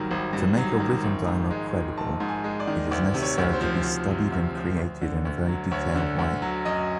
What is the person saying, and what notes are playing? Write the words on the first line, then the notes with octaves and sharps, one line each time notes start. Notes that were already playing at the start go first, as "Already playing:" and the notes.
To make a written dialogue credible, it is necessary to be studied and created in a very detailed way.
Already playing: G#1 G2 D#3 F#3
G#1
G2
F#3
D#3
A#1
G#2
G#3
D#3
A#1 A5
G#2
G#5
G#3
D5
D#3
D2 D5
C3
C#5
D2
C5
F3
D2
C3
D2
F3
D2
D3
D2
F#3
D2 C#5
D3
D2
F#3
F#2 D#5